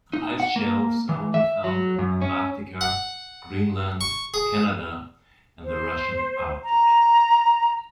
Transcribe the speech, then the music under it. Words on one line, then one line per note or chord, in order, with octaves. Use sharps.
Ice shelves are only found in Antarctica, Greenland, Canada and the Russian Arctic.
D#4
F#5
A#3
E3
E5
F#3
F#2
C#4
F#5
C#6
G#4
C5
A#5